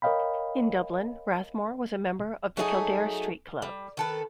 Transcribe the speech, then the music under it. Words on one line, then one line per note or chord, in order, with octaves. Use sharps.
In Dublin, Rathmore was a member of the Kildare Street Club.
A#4 C#5 D#5 F5 G5 B5
F#3 A3 D#4 G#4
G3
D#3 A4 B4